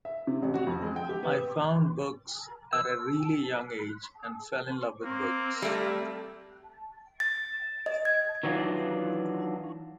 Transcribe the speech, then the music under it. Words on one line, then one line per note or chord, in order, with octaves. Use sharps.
I found books at a really young age and fell in love with books.
E5
C3
A1
F#4
F2
G#3
G5
G4
B3
E6
A#3 C4
G3 A3
A6
D#5
G#6
D#3 E3 F#3 D4 F4